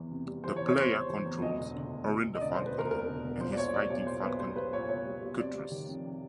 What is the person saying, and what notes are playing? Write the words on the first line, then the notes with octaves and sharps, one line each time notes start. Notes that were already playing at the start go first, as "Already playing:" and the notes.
The player controls Orin the Falconer and his fighting falcon Cutrus.
Already playing: E2 E3
C3
G3
E3 C5
C#5
E2
C#5
C3 C5
G3
E3
E2
D2 D#5
E1
D3
E1
D2
E1
D#5
D3 D5
E1 C5
B4
D2 A#4
E1 A#4
D3
E1
A#2 C5
D5
B1 C#5
G3 D5
B1 C#5
A#2 C5
B1 B4
G3 C5
B1 B4
A#2 C#5
B1 C#5
G3
B1
C3 D5
G3
D#3
F2
C3